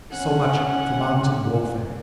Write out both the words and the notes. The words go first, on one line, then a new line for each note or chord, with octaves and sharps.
So much for mountain warfare.
C#4 F#5